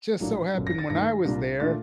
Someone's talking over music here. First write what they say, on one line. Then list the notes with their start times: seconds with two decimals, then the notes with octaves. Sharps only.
just so happened when I was there,
0.19 A#1 A2 F#3 A#3 D4
0.55 G1 F#2 F#3
0.67 A#6
0.78 A6
0.90 G2 D#3 A3 D#4 A#6
1.25 C2 A#2 G3 A#3 D4
1.60 A#2 A3 D4 A6